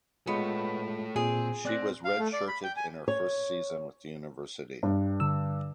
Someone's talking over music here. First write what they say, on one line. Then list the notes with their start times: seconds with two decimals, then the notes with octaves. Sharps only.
She was redshirted in her first season with the university.
0.27 G#3 A3 B3 F4 C#5
1.16 A#2 C4 G#4
1.65 C4 D5 F#6 A#6
2.05 F5
2.19 A3
2.33 D5
2.48 B5
2.64 G5
2.77 G#5
3.08 C#5
4.83 G2
5.20 D3 E6